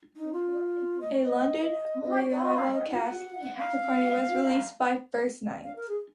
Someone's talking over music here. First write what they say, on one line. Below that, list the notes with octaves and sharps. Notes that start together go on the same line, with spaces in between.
A London revival cast recording was released by First Night.
D#4
F4
D#5
C#5
D#5
D#5
C#5
C#5
D#5
F5
D#5
F#5
F5
F5
A#4
G#4